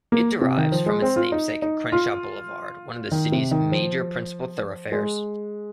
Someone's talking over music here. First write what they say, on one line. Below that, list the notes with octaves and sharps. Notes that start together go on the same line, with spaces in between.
It derives from its namesake Crenshaw Boulevard, one of the city's major principal thoroughfares.
A#3
C3
D#3
F3
G#3
C4
F4
D#4
D#4
F4
D#3
C3
D#3
F3
G#3